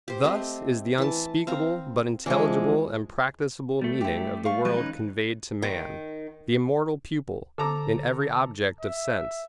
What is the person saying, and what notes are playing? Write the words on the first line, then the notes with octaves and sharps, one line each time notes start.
THUS is the unspeakable but intelligible and practicable meaning of the world conveyed to man, the immortal pupil, in every object of sense.
G4 C5
A3 C4 D#5
E3 A5
C4 F5 A#5
E3 F3 G#3 D4
G3 A3
E4 G4
F5 C#6
F3 G3 G#3 B4
D#3 C#4 D#4
D#3
D3 A4 A#5 D6
E5